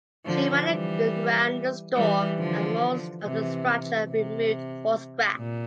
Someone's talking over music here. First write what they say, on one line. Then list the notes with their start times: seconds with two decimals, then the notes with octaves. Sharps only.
She ran aground in a storm and most of the structure removed for scrap.
0.26 D3 F3
0.68 E3 G3
1.96 E3 G3
2.38 D3 F3
3.23 C3 E3
4.09 C3
5.36 A#2